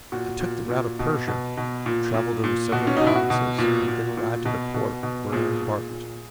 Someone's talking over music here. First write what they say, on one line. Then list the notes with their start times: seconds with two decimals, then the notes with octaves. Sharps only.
I took the route of Persia, travelled over several provinces, and then arrived at a port, where I embarked.
0.12 A#2 F#4
0.41 A#2
0.70 A#2
0.99 B2
1.28 B2
1.57 B2
1.86 A#2
2.14 A#2
2.44 A#2
2.72 B2 F#4
2.87 C#4
2.97 B2 D#4
3.07 E4
3.16 F#4
3.30 B2
3.58 A#2
3.88 A#2
4.17 A#2
4.45 B2
4.74 B2
5.03 B2
5.32 A#2 G#4
5.62 A#2
5.90 A#2